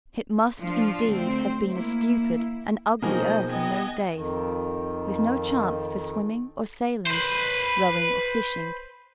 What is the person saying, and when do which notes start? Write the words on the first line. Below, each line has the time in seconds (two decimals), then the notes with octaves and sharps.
It must, indeed, have been a stupid and ugly earth in those days, with no chance for swimming or sailing, rowing or fishing.
0.59 F3 D4 F4
1.07 D2 C4
1.70 A#3 E4
3.02 B2 D#3 F3 A#3 G#4 C5 D#5
3.47 B3 D#5 G5 G#5
4.15 F2 D#3
7.07 B4 C5